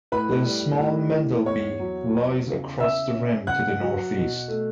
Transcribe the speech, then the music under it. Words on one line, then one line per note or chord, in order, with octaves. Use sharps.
The small Mendel B lies across the rim to the northeast.
A2 B4 B5
G3
A2
E3
E2 C#5 C#6
F#3
E2
C#3
C#3 E5 E6
C#4
C#3 F#5 F#6
F#3
B2
A3